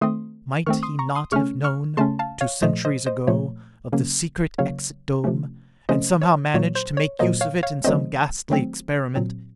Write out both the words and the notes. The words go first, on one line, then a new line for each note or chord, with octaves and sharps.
Might he not have known, two centuries ago, of the Secret Exit Dome, and somehow managed to make use of it in some ghastly experiment?
D#3 A3 C4 C6 D#6
D#3 A3 C4 C#6 F6
C6 D#6
A#5 C#6
C6 D#6
C#3 A3 C#4 C#6 F6
C#6 F6
C#3 A3 C#4 A5 C6
F5 A5
C#5 F5
A#2 F3 A3 C5 D#5
C5 D#5
C5 D#5
A#2 F3 A3 C#5
C#3 F#3 A#3 C#4
C#3 F#3 A#3 C#4 C#5 F5
C3 F3 A3 C#4
C3 F3 A3 C#4 C5 D#5
C#5
A#2 F#3 A#3 C#5
C5
C#5
A#2 F#3 A#3 C5 D#5
C#5 F5
C#5 F5
D#3 F#3 A3 C4 C5 D#5
D#3 F#3 A3 C4
A#2 F#3 C4